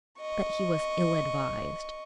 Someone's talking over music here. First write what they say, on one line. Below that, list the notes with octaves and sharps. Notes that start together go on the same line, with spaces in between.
But he was ill-advised.
D#5 C#6